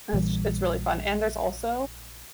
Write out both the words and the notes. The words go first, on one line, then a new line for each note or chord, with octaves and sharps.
it's it’s really fun, and there's also
A#1 A#2 E3 G3